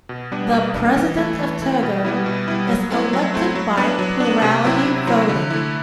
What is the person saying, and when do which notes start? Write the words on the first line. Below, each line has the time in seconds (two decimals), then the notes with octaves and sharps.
The President of Togo is elected by plurality voting.
0.09 B2
0.32 G3 B3 D4
0.53 B2
0.74 G3 B3 D4
0.96 E3
1.18 A3 E4
1.39 E3
1.62 A3 E4
1.83 B2
2.05 G3 B3 E4
2.26 B2
2.48 G3 B3 E4
2.69 F#3
2.91 A3 C4 E4
3.13 F#3
3.34 A3 C4 E4
3.55 F#3
3.77 B3 D4
3.99 F#3
4.20 B3 D4
4.42 C3
4.65 F#3 C4 E4
4.85 C3
5.07 F#3 C4 E4
5.29 D3
5.50 A3 E4